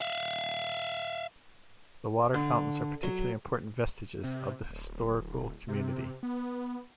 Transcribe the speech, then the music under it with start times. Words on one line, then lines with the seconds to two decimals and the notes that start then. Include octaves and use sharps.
The water fountains are particularly important vestiges of the historical community.
0.01 E5 F5
2.34 D3
3.03 F#3
4.23 C3
4.69 D1
5.69 C3
6.23 B3